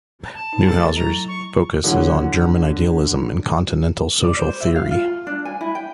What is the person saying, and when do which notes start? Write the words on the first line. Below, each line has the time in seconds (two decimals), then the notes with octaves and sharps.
Neuhouser's focus is on German Idealism and continental social theory.
0.35 A5
0.53 D#4
0.68 A3 G#4 A4 A6
0.96 F#3 E4 A#5
1.28 C#6
1.84 D3 E3 F#3 C#5 F#5
4.23 D5
4.39 C5
4.60 E5
4.76 F5
4.91 F4
5.27 D4
5.45 G#5
5.61 E4
5.75 G5